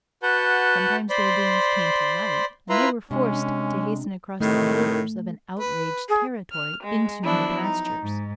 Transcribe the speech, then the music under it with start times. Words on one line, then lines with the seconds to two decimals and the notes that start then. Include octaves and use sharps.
Sometimes their doings came to light, and they were forced to hasten across the borders of an outraged territory into new pastures.
0.23 F#4 B4 F#5 A5 G6
1.10 C5 D5 B5 C6
2.70 E4 F4 B4 E5 A#5 C6
3.11 C3 G#3 C#4 D4
4.40 A2 C3 D#3 A3
5.59 B4
6.09 G#4
6.51 F6
6.83 G#3
7.23 F3 F#3 B3 D4 E4
7.61 D#4
8.02 G#2